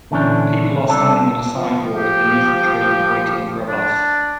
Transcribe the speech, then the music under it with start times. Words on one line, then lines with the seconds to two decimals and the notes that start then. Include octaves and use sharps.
People are standing on a sidewalk, beneath a tree, waiting for a bus.
0.11 A#2 D3 E3 G3 C#4 D4
0.89 C2 D4 A4
1.55 F3
1.95 G4
3.68 D4